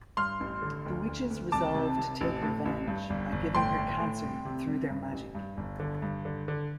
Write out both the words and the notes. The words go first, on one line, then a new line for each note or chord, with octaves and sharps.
The witches resolve to take revenge by giving her cancer through their magic.
G2 C6 F6
A1
D3
D2
D2
D2
C2 A5 D6
C3
C3
A1
A2
A1
G2
G1
G1
A2 G5 C6
A2
A2
C2
C3
C2
G2
A1
G2
G1
D3
G2
D3
D3